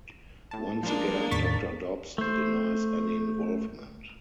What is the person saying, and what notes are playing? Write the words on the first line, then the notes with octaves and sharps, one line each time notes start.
Once again, Doctor Dobson denies any involvement.
A2 A5
F3 G#3 A#3 D4
E2 A2 D#3 C#6 A6 B6
A3 C5